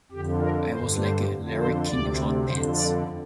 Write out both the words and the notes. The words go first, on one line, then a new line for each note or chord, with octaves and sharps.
I was like a Larry King in short pants.
F2 D3 G4
A#4
G2 D3 C5
C5
F2 D3
C5
D2 C3 D5
F2 D3 C5
D5